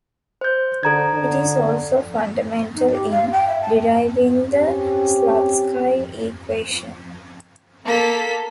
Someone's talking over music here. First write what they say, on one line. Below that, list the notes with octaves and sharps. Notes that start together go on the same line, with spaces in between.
It is also fundamental in deriving the Slutsky equation.
C5 G6
D3 A4 A#5 G#6
D3
D#4
G4
F5
G5
E5
A5
C4 C#4 G4
A#3 A4 B6